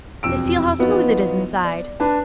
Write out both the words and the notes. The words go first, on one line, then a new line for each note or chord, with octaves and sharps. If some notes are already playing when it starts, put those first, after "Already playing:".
"Just feel how smooth it is inside!"
E1 F2 E6 D7
E3 F3 B3 D#4 F4 F#4
D5
D4 B4 A5